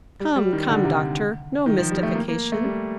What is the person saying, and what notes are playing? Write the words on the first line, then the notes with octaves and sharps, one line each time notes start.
"Come, come, Doctor, no mystification."
G3
G3
D#3
D3
C3
D3
D#3
F3
G3
A3
A#3
A#3
A3
G3